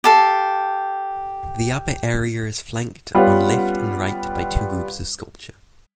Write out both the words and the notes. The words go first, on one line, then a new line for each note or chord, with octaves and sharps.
The upper area is flanked on left and right by two groups of sculpture.
G4 A4 F5
G3 B3 C#4 F4 B4 F#5